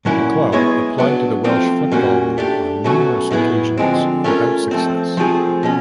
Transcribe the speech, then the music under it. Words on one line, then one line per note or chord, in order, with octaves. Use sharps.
The club applied to the Welsh Football League on numerous occasions without success.
A#2 F#3 A#3 C#4 E4
G#3 B3 E4 G#4 C#5
F#3 B3 D4
F3 A3 C4 F4
A#2 G3 A#3 C#4 F#4
A3 D4 G4
B2 F#3 A3 C#4 F#4
A2 F#3 B3 E4 G#4
D3 F3 G#3 C4
A3 C#4 F4 A#4
F3 A3 C4
F3 A3 C4 F4 G#4
B2 G#3 C#4